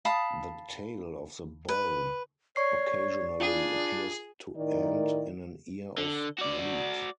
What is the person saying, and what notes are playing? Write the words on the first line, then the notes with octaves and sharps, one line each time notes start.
The tail of the bull occasionally appears to end in an ear of wheat.
F5 A5 B5 D#6
B4
C#5 D5 C#6 C7
D4 F4 G#4
A2 D#3 D#4 E4 A#4 D5
D3
F#4 D5